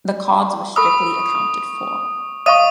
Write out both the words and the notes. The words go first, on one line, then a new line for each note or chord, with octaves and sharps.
The cards were strictly accounted for.
A4 B5 C#6 D#6 E6
D#5 F5 C#6 D#6 D#7